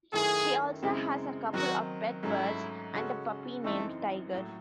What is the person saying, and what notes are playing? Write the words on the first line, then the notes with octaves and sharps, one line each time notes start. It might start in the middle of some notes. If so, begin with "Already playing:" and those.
She also has a couple of pet birds, and a puppy named Tiger.
F#2 D#3 A3 C#4 E4 G#4
F#2 C#3 G#3 C4 E4
D#3 F#3 C4 D#4 F#4
G#2 F#3 A3 C#4 E4
C#3 G#3 C#4 F#4 A4
F#2 E3 A3 C4 D#4 A4
A2 F#3 A3